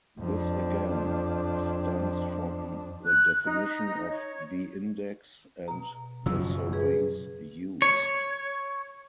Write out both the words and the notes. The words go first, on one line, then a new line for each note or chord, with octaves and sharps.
This again stems from the definition of the index and the surveys used.
F2 D4
F#6
D#4
C#5
B2 A#5
F#2 C#3 F3 E6
G#4 B4
C#5